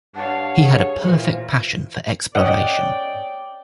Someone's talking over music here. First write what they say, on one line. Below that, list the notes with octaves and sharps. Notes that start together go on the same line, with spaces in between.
He had a perfect passion for exploration.
G2 C#5 F5 F#5 A5
G#4 C#5
A#2 E3 F4 C5
C#4 D5 D#5 F#5 G5